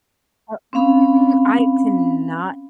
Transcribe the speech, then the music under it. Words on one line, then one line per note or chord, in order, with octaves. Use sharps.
Uh, mhm, I cannot
C4 C#4 F5 B5